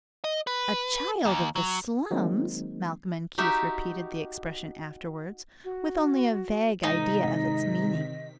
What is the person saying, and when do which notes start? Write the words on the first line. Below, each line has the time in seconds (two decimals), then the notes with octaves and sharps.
"A child of the slums!" Malcolm and Keith repeated the expression afterward, with only a vague idea of its meaning.
0.24 D#5
0.47 B4
1.25 D#2
1.56 F#3
2.11 D#3 F#3 G#3 A#3 C4 D#4
3.38 D#4 F#4 G4 E5
5.64 F#4
6.83 G#2 C3 D#3 D#4 D#5 B6